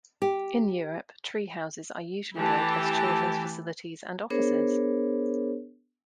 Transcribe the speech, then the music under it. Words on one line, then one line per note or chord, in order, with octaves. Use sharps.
In Europe treehouses are usually built as children's facilities and offices.
G4
E3 A3 E4 G4 A5
B3 D4 G#4 A#4 C5 C#5